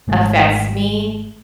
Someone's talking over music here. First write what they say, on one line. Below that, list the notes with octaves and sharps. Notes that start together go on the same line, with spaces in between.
affects me,
G#1 G#3 A3